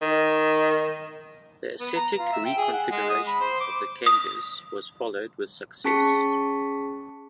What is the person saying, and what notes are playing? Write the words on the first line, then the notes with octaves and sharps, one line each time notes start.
The aesthetic reconfiguration of the Kangas was followed with success.
D#3
B3
A#5
F4
E5
G5
G#4
F#5
G#3
D#6
B5
C5
D6
D#6
C#4 G#4 A5 C#6 B6 C#7